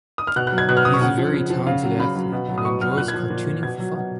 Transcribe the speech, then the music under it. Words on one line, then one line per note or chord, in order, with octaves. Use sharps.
He is a very talented athlete and enjoys cartooning for fun.
D#6
F6
B2 F#6
F#6
F#3
G#6
B2 F#6
F6
F#3 D#6
C#6
C#3 F#5
F3
C#3
F3
C#3 F5
F#3
C#3 B5
F#3
B2
F#3
D#6
B2 C#6
F#3 F6
F6
A#2 F#6
G#6
F3
A#2
F3
B2 G#6
F#3
B2